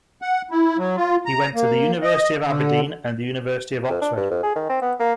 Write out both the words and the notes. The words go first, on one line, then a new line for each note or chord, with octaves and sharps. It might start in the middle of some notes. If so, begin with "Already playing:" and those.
He went to the University of Aberdeen and the University of Oxford.
F#5
E4
F#3
F4
A#5
A#3
D#5
D3
F2
D4
G2
F2
G#4
D#3
C4
B3
A#3